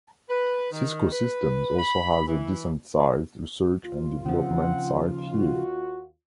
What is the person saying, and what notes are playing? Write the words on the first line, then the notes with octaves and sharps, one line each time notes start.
Cisco Systems also has a decent sized Research and Development site here.
B4
D#3
B4
B5
E3
D#2 F4
C#3 F3 C4 F#5
F#4